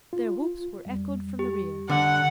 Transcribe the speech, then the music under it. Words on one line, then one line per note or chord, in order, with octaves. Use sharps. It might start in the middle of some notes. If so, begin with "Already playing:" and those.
Their whoops were echoed from the rear.
F4
F2 G3
G4
D3 F#5